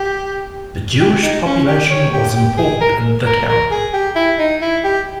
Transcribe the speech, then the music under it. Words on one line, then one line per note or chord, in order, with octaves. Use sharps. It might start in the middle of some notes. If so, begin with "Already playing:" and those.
The Jewish population was important in the town.
Already playing: G4
G4
D#4
C#4
G4
C#5
G4
G4
G#4
A#4
A#4
A#4
G#4
G4
E4
D#4
E4
G4